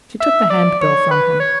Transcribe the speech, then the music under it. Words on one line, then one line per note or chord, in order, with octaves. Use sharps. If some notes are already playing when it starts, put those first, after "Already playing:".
She took the handbill from him.
E5
D5
C#5
B4
C#5